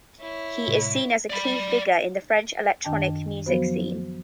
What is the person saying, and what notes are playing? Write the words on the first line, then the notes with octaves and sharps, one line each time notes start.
He is seen as a key figure in the French electronic music scene.
E4 C#5
A2 C3 G#3
D5 B5
F#2 D#3 D4 G5 A5
F3 F#3 B3 F#4 C5